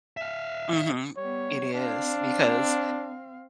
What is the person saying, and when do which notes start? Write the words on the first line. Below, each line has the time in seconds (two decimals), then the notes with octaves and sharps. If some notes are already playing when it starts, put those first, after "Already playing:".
Mhm. It is, because,
0.17 E5 F5
1.17 G3 B3 C#5
1.74 C4 D4 F5